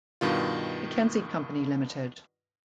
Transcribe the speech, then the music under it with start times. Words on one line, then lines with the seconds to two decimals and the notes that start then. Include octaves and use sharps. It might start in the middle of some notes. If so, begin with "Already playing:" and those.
McKenzie Company, Limited.
0.21 G2 B2 D#3 F4